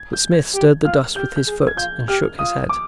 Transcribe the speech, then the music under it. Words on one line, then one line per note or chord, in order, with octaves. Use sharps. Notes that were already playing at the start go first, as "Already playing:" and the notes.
But Smith stirred the dust with his foot and shook his head.
Already playing: G#6
G6
G#6
G4
F4 F6
G4 G6
G6
G#4
G#6
F4 G6
G4 F6
F4 D#6
D6